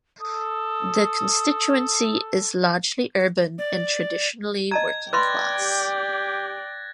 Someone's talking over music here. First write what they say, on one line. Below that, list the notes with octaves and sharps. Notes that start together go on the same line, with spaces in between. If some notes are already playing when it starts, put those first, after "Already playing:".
The constituency is largely urban and traditionally working-class.
A4 D#6
D5
D#5 A5 A#5 G#6
B4 D5 G5 B5 C6 F#6 A6 A#6
G4